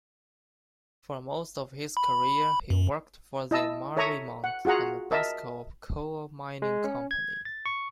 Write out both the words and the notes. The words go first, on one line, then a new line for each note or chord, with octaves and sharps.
For most of his career he worked for the Mariemont and Bascoup coal-mining company.
B5
F#2
E4 D#5 A5 E6
A4 C#5 E5 A#5 C#6 D#6
F#5
F4 F#4 G#4 F#5 A#5
A#4 D#5 E5 A5
G#3
C#4
G#6
A6
C#6